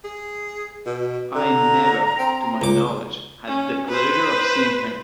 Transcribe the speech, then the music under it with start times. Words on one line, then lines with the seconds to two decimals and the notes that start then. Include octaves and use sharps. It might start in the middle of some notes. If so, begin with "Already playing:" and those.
I never, to my knowledge, had the pleasure of seeing him.
0.04 G#4
0.86 B2
1.35 D3 A#5
2.18 C4
2.61 C#2 D6
3.48 C#4
3.88 B4 C5